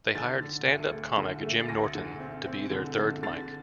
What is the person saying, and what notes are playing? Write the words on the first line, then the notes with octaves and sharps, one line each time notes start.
They hired stand up comic Jim Norton to be their third mic.
D3 A6
D3
D2
A3
D3
A3
A6
D2 A#6
D3
C4
C4
D3
D3
D3 A6